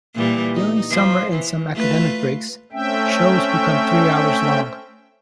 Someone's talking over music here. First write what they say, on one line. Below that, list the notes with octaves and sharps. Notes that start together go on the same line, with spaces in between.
During summer and some academic breaks, shows become three hours long.
A#2 E3 G3
D#4
F3
E3
A3 F4 B4
A3 C4 C#4 E5 G5